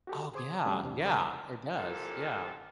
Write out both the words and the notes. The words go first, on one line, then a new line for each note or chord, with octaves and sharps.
Oh, yeah, yeah, it does, yeah.
F#4 G4 A4
G#4 C5 C6 D6 D#6 G#6
C3 G3 A3 C#4 F#4
E2 C3 D4
C#2 G3 G#4 A#4 C5 D#6
E6
A#2 E3 F3 C4 G4 A4